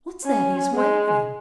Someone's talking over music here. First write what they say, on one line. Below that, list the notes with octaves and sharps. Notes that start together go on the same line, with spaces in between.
What's that he's wavin'?
C#4
G#3